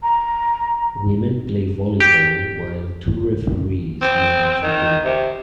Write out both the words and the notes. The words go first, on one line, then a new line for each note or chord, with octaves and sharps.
Women play volleyball while two referees manage the game.
A#5
G4
C4
D#3
C3